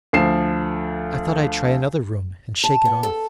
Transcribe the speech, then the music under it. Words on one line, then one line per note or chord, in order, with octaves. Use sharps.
I thought I'd try another room, and shake it off.
D2 F3 C7 E7
A5
B3
A4